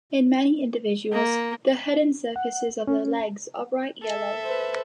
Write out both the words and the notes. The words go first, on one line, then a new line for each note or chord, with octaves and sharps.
In many individuals, the hidden surfaces of their legs are bright yellow.
A#3
F#5
C#4
A4 E5
B4 C5